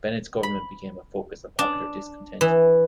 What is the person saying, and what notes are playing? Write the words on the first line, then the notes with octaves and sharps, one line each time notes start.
Bennett's government became a focus of popular discontent.
B5
D4
E3